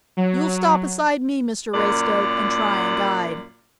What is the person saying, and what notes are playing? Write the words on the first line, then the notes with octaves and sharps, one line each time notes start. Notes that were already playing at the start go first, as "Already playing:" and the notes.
"You'll stop aside me, Mr Raystoke, and try and guide."
F#3
F#2 A#2 D5